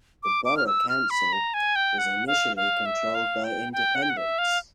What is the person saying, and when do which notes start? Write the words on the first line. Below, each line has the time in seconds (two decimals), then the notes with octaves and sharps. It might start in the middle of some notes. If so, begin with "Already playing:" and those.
The borough council was initially controlled by independents.
0.23 D6
0.45 D6
0.57 F6
0.67 E6
0.89 F6
1.10 B5
1.33 A#5
1.54 G#5
1.76 G5
1.98 F#5
2.27 F5
2.56 F5
2.86 E5
3.15 F5
3.44 G5
3.73 G5
3.95 F#5
4.02 G5
4.10 F#5
4.17 E5
4.38 F5